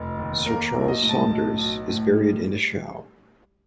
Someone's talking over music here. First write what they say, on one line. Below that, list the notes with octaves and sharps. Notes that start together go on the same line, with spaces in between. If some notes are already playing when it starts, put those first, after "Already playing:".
Sir Charles Saunders is buried Eshowe.
Already playing: F1
D#2
A#3 A#4
B1
D#5
A2
A5
B1
B1
A2
G3